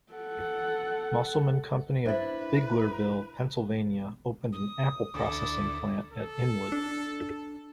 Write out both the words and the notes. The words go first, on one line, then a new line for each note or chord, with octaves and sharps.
Musselman Company of Biglerville, Pennsylvania, opened an apple processing plant at Inwood.
A4 F#5
D4 E4 B4 C5 E5 A6
D#6
D2 E4 A4 D6
A4
D4